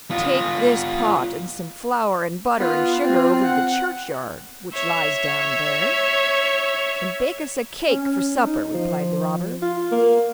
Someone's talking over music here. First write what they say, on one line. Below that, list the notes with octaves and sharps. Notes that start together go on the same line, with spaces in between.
'Take this pot and some flour and butter and sugar over to the churchyard which lies down there, and bake us a cake for supper,' replied the robber.
B3 F4
B3 F4
C4 F4
F#5
C#5 E5
C#4
D#4
F3
F4
A#3